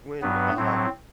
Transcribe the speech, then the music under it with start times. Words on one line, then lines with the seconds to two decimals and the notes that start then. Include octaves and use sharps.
when um,
0.22 G2 F#3 B3
0.57 A2 F#3 C4